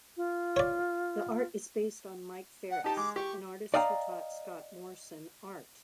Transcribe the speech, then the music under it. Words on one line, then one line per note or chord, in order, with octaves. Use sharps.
The art is based on Mike Ferris, an artist who taught Scott Morrison art.
F4
C#5 D5
F#5
D#4 G4 A5
G#3 D6
G4 C#6
D5 D#5 F5 G5 G#5 A#5